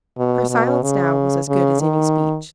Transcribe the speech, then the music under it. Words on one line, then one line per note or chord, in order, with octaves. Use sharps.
Her silence now was as good as any speech.
B2
B2
C#3
C#3
D#3